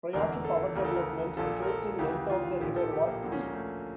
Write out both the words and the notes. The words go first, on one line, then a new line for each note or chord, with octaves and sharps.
Prior to power development the total length of the river was c.
F1 E2 D3 A#4
A4
D2 C#3 E3 A#4
A4
A#4
A#1 A#2 F3 A4
A#4
A4
D2 C#3 E3 G4
F4
A#1 A2 F3 G4
A4
G4
A#3
D2 D3 F3 A#3
C#4
A#3
A3